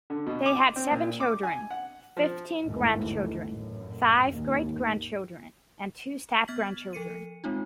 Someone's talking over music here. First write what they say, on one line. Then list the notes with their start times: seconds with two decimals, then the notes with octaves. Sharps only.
They had seven children, fifteen grandchildren, five great-grandchildren, and two step-grandchildren.
0.10 D3
0.26 B2
0.46 D6
0.76 C4
0.91 A#2
1.20 D6
1.43 G#5
1.70 F#5
2.17 F3
2.64 G1 D#2 G#2 E3 A3
3.49 A1 F#2
4.30 D#2 G#2
6.48 B3 F6 G#6 A6 B6 F#7
6.93 F3 A4 C#7 D#7
7.44 G#3 C4 D#4 F4